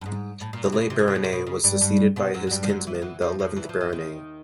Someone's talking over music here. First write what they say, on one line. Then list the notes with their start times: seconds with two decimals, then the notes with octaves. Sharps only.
The late Baronet was succeeded by his kinsman, the eleventh Baronet.
0.01 G2
0.06 G#2
0.41 A2
0.53 A#2
0.64 B2
0.73 C3
0.81 B2
0.90 C3
0.99 B2
1.08 C3
1.16 B2
1.24 C3
1.33 B2
1.47 C#3
1.64 G2 G3
1.81 G2 G3
2.16 B2 B3
2.34 F#2 F#3
2.47 F#3
2.51 G2 G3
2.63 F3
2.69 F#2 F#3
2.87 E3
2.94 F3
3.02 E2 E3
3.22 F2 F3
3.39 F2 F3
3.56 E2 E3
3.69 F3
3.81 E3
3.92 D#2 D#3